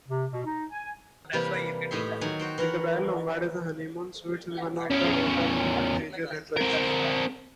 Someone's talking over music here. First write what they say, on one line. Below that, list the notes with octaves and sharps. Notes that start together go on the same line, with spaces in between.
The Gable-Lombard honeymoon suite is one of the hotel's major attractions.
C3
B2
D#4
G#5
C3 E3 G3 A#3 G4 G#5
A2 D#4 G4 C#5 E5 C6
D#3 F#3 F#5 G#5
F#4 C5 G5
E3 A#4 C#5 F#5
E2 C#4
C4 A#4